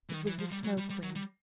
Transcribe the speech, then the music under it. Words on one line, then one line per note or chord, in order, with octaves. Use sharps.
It was the Snow Queen.
E3
D#3
E3
F3
G3
F#3
G3
G3
F#3
G3